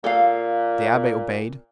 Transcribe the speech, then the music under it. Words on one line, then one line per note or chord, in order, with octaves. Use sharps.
The abbe obeyed.
A#2 A4 F5